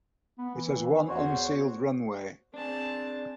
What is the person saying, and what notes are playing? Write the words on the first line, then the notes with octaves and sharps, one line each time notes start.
It has one unsealed runway.
B3
E3
E2 F#4 C5 C#5
C4 D4 G#4 A5